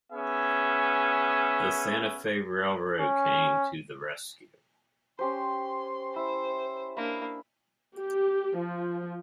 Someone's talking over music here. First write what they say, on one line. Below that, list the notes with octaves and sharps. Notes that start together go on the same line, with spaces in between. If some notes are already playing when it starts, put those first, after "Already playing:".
The Santa Fe Railroad came to the rescue.
B3 C#4 G#4 E5
C#4
C#4 G4 C5 C6
E4 C5
A#3 D4 B5
G4
F3